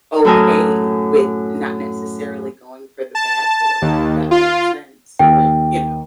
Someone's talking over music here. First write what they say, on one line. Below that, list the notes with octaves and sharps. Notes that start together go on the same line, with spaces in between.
okay with not necessarily going for the bad boy, if that makes sense, or you know?
F#2 A2 A4 A#4 G#5 D#6
A5
D#2
F4
D#2 G5